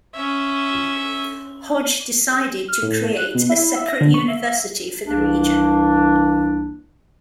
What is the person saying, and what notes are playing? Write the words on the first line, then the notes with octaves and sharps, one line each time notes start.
Hodge, decided to create a separate University for the region.
C#4 E5
F6
A2
A3
F#6
B2
E4
E5
A#6
D3
C#6
E5
C2 E3 A#3 D4